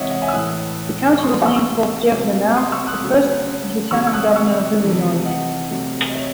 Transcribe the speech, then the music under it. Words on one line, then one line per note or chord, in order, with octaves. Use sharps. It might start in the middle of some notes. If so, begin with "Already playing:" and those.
The County was named for Pierre Menard, the first lieutenant governor of Illinois.
Already playing: C3 E3 G#3 C#5 D#5 E5 F#5
D#5 F#5
E5 G#5
E6
A2 E3 A3 D#6 F#6
C#6
C3 E3 A3 C6 D#6
C6 D#6
C#6 E6
C#6 E6
C3 F#3 A3
C6 D#6
C#6 E6
D#6 F#6
C#3 F#3 A3
C3 D#3 F#3 A3 C#6 E6
E6
D#6 F#6
C#6 E6
C3 E3 A3
D#5 F#5
C3 F#3 A3
D#5
C#5 E5